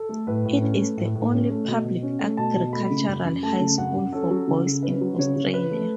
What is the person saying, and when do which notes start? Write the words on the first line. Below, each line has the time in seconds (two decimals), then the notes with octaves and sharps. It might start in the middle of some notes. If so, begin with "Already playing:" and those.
It is the only public agricultural high school for boys in Australia.
Already playing: A4
0.09 A3
0.27 A2 B4
0.45 A2
0.62 C#4
0.79 A3
0.97 A2
1.15 A2
1.33 C#4
1.50 A3
1.67 B2
1.85 B2
2.03 C#4
2.20 A3
2.37 B2 A5
2.55 B2
2.72 A3 B5
2.90 C#3
3.08 F#2
3.25 F#2
3.43 A3 A5
3.60 C#3
3.78 F#2 F#5
3.96 F#2
4.13 C#4 A4
4.30 F#3
4.47 C#3
4.66 C#3
4.83 C#4 B4
5.01 F#3
5.18 C#3 C#5
5.36 C#3
5.54 C#4 B4
5.71 A3